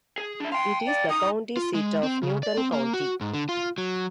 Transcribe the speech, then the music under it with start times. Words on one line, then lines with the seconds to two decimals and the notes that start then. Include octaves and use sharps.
It is the county seat of Newton County.
0.18 G#4
0.40 D4 E5
0.52 F5 G5 C6
0.86 D5
1.09 D#4 D#6
1.57 F4
1.74 G#3
2.03 C4
2.23 C#3
2.43 D5
2.57 C4
2.72 A#3
2.93 F#4
3.21 G#2
3.34 D3
3.49 F4
3.78 F#3